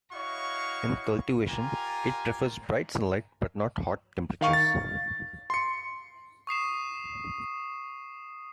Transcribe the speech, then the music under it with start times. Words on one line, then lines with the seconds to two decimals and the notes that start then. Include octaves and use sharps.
In cultivation, it prefers bright sunlight but not hot temperatures.
0.12 E4 F#4 C#5 D#5 F5 C#6
1.48 F4 G4 A#4 G#5 A#5
4.41 D#3 F5 C#6
4.53 A6
5.50 C6 C#7
6.47 C#6 D#6 C7 E7